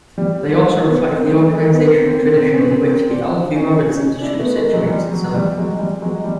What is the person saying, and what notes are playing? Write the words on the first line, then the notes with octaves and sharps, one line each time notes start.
They also reflect the organizational tradition in which The Alfie Roberts Institute situates itself.
G3
G#3 A#3
A3 B3
A#3 C4
G3 A3
G#3 A#3
A3 B3
A#3 C4
A#3 C4
A#3 C4
A#3 C4
B3 C#4
A#3 C4
A#3 C4
C4 D4
C#4 D#4
C#4 D#4
D4 E4
A3 B3
G#3 A#3
F#3 G#3
G3
F#3
G#3
G3
F#3 G#3
G3
F#3 G#3
G3